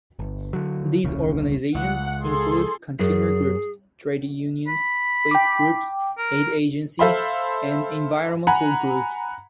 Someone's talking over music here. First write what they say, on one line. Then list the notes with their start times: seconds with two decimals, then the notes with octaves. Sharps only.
These organizations include consumer groups, trade unions, faith groups, aid agencies and environmental groups.
0.19 G1
0.53 D3 F#3
1.04 D#1 C2 C#3
1.75 C#2 F#5
2.22 G#4 A4 C6
2.99 F#2 G#4
4.67 B5
5.31 G5 D6
6.18 A#4
6.99 A4 C5 E5 F5 B5 C6
8.47 F#5 G#5 A#5 B5